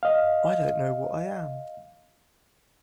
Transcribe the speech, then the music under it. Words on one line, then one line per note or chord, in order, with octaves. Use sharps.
I don't know what I am.
D#5 F5